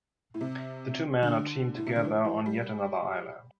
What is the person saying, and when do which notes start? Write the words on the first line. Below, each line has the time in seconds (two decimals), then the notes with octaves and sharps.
The two men are teamed together on yet another island.
0.34 A2
0.41 C3
1.23 D3
1.77 A2
1.86 C3
1.96 D3
2.04 E3
2.25 E3
2.46 G3